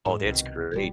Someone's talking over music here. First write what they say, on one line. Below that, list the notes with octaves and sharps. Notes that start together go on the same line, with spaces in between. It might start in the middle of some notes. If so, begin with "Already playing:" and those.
Oh, that's great.
G#2
C2 B2 D#3
D#1 A#2 G3